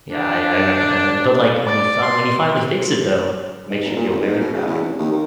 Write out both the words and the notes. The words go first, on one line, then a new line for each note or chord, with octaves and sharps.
Yeah, I I remember I'd but like when you fin when you finally fix it though, makes you feel very proud.
D4
D5
C6
G#2
F#1
A#2
G#1
G#2
B2
C#3
E2
F1
D#2
D#3